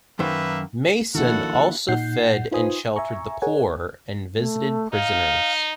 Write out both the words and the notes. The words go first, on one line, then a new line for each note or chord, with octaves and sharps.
Mason also fed and sheltered the poor, and visited prisoners.
F#2 D#3 A#3 B4 C5 E5
D#3 F3 A#3 D4 E4 F#4 A4 F#5
A#2 D#4 F#5 G6 C7
D#4 F4 B4 C5 G#5 D#6
E5 G#5 A#5 C#6
G#4 A#4 C#5 F#5 G#5
A3
D#4 F5